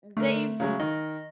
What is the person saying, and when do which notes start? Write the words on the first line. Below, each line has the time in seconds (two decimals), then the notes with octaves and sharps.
mm, they've
0.17 D3 A3 A#4
0.60 C#3 F#3 G#3
0.80 D#3 D#5